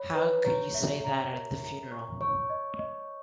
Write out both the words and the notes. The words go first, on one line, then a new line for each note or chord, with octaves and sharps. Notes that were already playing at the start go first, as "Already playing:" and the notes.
How could you say that at the funeral?
Already playing: C#5 B5
B4 B5
C#5 A#5
E5
A#5
A#4
A#5
C#6
C#5 C#6
D#5
D#5